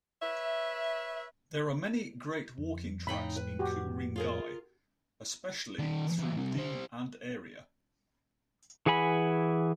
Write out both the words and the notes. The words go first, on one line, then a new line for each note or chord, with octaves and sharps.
There are many great walking tracks in Ku-ring-gai, especially through the and area.
B4 C#5 E5
F2
F2 A2 C#3 D#4 G5 B5
B4
F#4 G4
F4 G#4 A#4
D#3 D5
E3 F#3
C2 C3
G3 C5
E3 G#4 F#5 G#5 B5